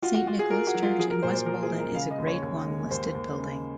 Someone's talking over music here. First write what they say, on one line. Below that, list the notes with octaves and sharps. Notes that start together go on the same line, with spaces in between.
Saint Nicholas Church in West Boldon is a Grade One listed building.
F4 F#4
F#4
F4 F#4
G#4
F4 A#4
F#4
F#3
F4
F3 G#4
A#4
A#2 C5
C5
F3 A#4
G#4
G#3
A#4
C#3 F5
D#5
D#2
C#5
D#2
G#3
D#2 C5
D#2
C#3